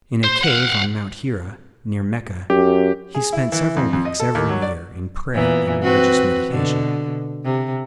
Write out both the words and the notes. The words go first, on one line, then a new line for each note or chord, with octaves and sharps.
In a cave on Mount Hira, near Mecca, he spent several weeks every year in prayer and religious meditation.
C5
F5 F#5
F#2 G4
G#4
E4
E3
F2
F2
D#5
A4
D#2
F#3
D5
A#2 E3 B3
C4 F#4 B4
B2 D3
C3